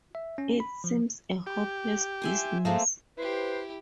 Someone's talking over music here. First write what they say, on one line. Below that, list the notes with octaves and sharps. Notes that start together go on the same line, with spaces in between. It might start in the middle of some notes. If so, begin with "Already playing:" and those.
It seems a hopeless business.
E5
C#4
B5
F3
G4
E5 G#5 C6
G#2 A3 A#3 C4
E4 G4 B4 C5